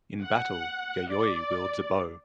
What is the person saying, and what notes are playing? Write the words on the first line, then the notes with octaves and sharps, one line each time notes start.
In battle, Yayoi wields a bow.
F#5
D5